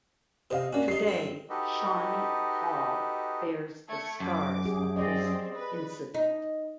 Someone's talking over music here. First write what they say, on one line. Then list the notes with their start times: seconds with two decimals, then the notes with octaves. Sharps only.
Today, Shawnee Hall bears the scars of this incident.
0.51 C3 C5 D#5 F5
0.73 A#3 C#4 D4 F#4
0.88 G2 D#4 C7
1.07 G2 C4
1.50 D#4 F#4 G4 A4 B4 D#5
3.88 A3 G#6 C#7
4.20 F#2 D6
4.65 G4 G#4
4.96 C4 G#4 D5 D#5
5.55 B4
6.14 D#4